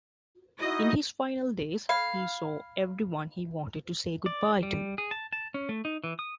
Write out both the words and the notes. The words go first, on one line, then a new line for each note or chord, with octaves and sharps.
In his final days he saw everyone he wanted to say good-bye to.
D#4 E4 F#4 D#5
F5 B5 G#6 C7
D5
G3
G#4
A5
A5
C#4
A3
D#4
E3
D#6